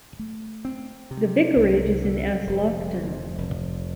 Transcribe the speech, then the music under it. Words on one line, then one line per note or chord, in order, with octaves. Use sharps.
The vicarage is in Aslockton.
A3
C4
C3
C2
D3
F1
F2
F1